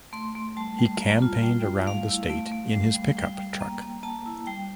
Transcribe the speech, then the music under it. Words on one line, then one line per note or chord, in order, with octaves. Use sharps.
He campaigned around the state in his pickup truck.
A3 C6
A3
G3 A5
G3
A#3
F4
G3 G5
G3
A3 F5
E4
A3
A3
G3
G3
G3 G5
G3
A#3
A#3
A#3 A5
E4
G3 G5